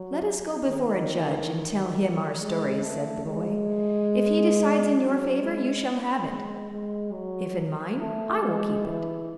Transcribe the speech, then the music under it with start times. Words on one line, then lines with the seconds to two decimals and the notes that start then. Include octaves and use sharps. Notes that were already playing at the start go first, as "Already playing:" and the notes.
'Let us go before a judge, and tell him our stories,' said the boy. 'If he decides in your favour, you shall have it; if in mine, I will keep it!'
Already playing: F#3
0.69 D#3
2.41 G#3
2.83 A3
3.26 G#3
4.98 F#3
5.41 G#3
6.28 G#3
6.71 G#3
7.13 F#3
8.00 A3
8.42 G#3
8.85 E3